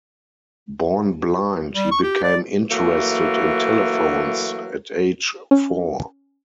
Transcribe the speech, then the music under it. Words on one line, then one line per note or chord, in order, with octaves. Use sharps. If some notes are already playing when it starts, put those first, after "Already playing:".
Born blind, he became interested in telephones at age four.
G3
C#6
G4
D5
E3 F#3 A3 A#3
C#4